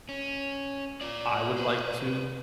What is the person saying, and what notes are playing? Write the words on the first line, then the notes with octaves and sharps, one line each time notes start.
I would like to,
C#4
F4 D5
B4 C5